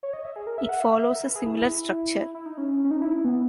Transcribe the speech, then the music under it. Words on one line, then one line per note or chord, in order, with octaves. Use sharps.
It follows a similar structure.
C#5
D#5
E5
G#4
A#4
E5
F#5
E5
E5
A#4
B4
G#4
E4
E4
E4
D#4
C#4
C#4
D#4
E4
B3